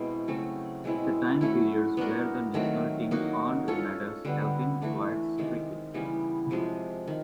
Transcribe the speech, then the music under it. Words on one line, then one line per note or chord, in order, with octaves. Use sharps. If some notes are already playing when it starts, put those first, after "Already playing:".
The time periods where the national team earned medals have been quite streaky.
Already playing: B2 G#3 C4 E4
C#3 F#3 A3 C4
B2 G#3 C4 E4
F#3 A3 C#4 E4
B3 D4 F#4 A#4
D#3 F#3 A3 C4
A#3 D#4 F#4
C#4 F4 A4 C#5
D3 G3 B3
E3 A3 D4
C3 D#3 G#3
C#3 E3 G3 B3
C3 F3 G#3
D#3